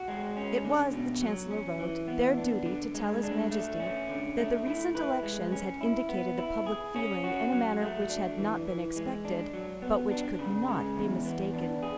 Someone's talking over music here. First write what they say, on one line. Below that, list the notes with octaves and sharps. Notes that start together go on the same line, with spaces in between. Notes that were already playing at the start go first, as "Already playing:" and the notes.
It was, the Chancellor wrote, their duty to tell His Majesty that the recent elections had indicated the public feeling in a manner which had not been expected, but which could not be mistaken.
Already playing: F#4
G#3
C#4
D3
B2
F#3
C#4
E3
B3
D4
D3
G#3
D4
A3
C#4
D3
A3
E4
B4
G#3
C#4
E4
B3
E4
G#4
C#4
F#4
F#3
A3
D4
E3
E3
G#3
D4
F#3
B3
D4
C#3
G#3
E2
B3
D4
G#4